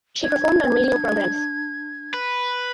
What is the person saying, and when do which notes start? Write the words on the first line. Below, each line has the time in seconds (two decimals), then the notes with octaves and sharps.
She performed on radio programs.
0.24 D4 G#6
2.14 B4